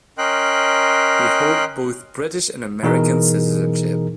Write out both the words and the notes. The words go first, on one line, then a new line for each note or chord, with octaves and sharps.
He holds both British and American citizenship.
C#4 A#4 D#5 G5 C6 F#6
B2 E3 D#4 G#4 A#4